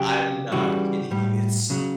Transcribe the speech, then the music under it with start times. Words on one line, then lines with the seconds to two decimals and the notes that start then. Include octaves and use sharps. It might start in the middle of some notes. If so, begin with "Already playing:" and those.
I'm not kidding you, it's
Already playing: C#3 F#3 G4
0.52 C#3 E3 G3 F#4
1.11 A2 G3
1.70 C#3 F#3